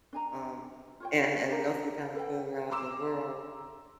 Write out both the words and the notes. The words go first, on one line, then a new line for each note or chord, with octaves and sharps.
Um, and I and I know sometimes when we're out in the world,
D4 G#5 A#5
F4 C#5 G5
D4 G4 A#4
A4 B4 F#5 G5
A#5 C6 D6 E6 E7